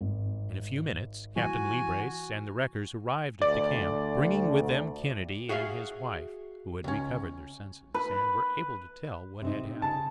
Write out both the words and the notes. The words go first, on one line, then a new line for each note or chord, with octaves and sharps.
In a few minutes Captain Leebrace and the wreckers arrived at the camp, bringing with them Kennedy and his wife, who had recovered their senses, and were able to tell what had happened.
G#1
E3 F#4 G#5
D2 D5
F#4 G#4 E5 F5
C#2 C#4
B4
C3 C4 D#4
C#3 A5